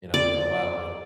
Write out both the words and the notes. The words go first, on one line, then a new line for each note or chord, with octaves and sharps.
you know, go out and
D5